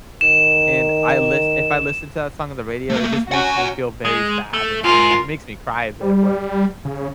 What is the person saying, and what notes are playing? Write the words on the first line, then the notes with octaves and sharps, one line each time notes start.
and I list if I listen to that song on the radio, it just makes me feel very sad and just it makes me cry a bit where
D#3 E7
A3 A#3
C#4 F#4 F#5 G#5
G#3
A3
C#2 G#2 F4 A#4
G3
C#3